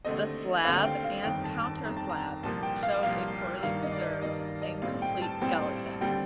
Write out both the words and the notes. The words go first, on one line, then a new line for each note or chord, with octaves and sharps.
The slab and counterslab showed a poorly preserved, incomplete skeleton.
D#2 D3 A3 C4 D#5
D#2 D3 A3 C4 F5
G5
F5
G1 F2 D#3 G5
A5
A5
G1 F2 D#3 A#5
A5
A#5
C2 A#2 F3 A#3 A5
G5
F5
C2 A#2 F3 A#3 F5
G2 D#3 G3 A#3 F5
D#5
D5
D#5
G2 D#3 G3 A#3 D#5
D#5
A#1 A2 G3 C4 F5
G5
A5
A#1 A2 G3 C4 G5
D#2 D3 G3 C4 G5